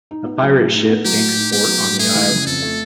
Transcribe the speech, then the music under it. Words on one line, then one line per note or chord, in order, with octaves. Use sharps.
A pirate ship makes port on the island.
D#4
B3
F#3
A2
D#4
B3
F#3 G4
A2
D#4
B3 G4
F#3
A2
A3 G#4
E3
C#3
F2 A4
A3